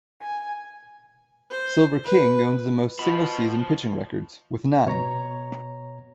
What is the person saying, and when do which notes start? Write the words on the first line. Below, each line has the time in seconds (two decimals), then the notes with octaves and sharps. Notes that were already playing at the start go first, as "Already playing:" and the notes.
Silver King owns the most single-season pitching records with nine.
0.23 G#5
1.51 C5
2.04 B4
2.99 B2 F3 B5
4.86 B2 C#5 A#5